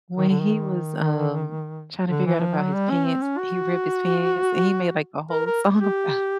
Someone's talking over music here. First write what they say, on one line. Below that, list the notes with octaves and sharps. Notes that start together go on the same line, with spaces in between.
when he was, um, trying to figure out about his pants he ripped his pants, and he made, like, a whole song about
D#3
D3
D#3
D3
E3
F3
F#3
G3
C#4
C4
C#4
F#4
A#4
A#4
G4